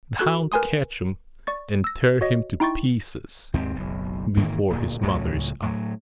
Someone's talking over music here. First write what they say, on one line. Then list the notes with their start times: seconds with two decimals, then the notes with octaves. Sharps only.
The hounds catch him, and tear him to pieces before his mother's eyes!...
0.19 F#4 A4 F#6
0.52 A#4 B4 G#5 C6 D#6
1.47 D5 C#6 A6
1.84 E6 A#6
2.21 F#4 C#5 D#5
2.60 D#4 E4 G5 C6 C#6 A6
3.54 D#2 G#2 C4
3.76 F#1 B1
4.37 G#2 D#3 E3 A#3
4.69 D1 A#2
5.03 C#2 A2 C#3 F#3
5.62 A2 F#3